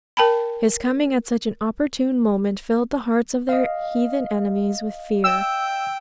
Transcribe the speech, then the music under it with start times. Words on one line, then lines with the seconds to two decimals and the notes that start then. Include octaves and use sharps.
His coming at such an opportune moment filled the hearts of their heathen enemies with fear.
0.17 A#4 G5 A5 B5
3.49 D#5 F5
5.24 G5 E6